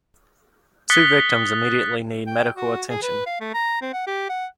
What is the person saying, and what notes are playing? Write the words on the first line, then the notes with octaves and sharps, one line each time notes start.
Two victims immediately need medical attention.
D#6 F#6 A6 B6 C#7 G7
G5
F#4
G#4
B4
F5
A3
A#5
C4
F#5
G4
F#5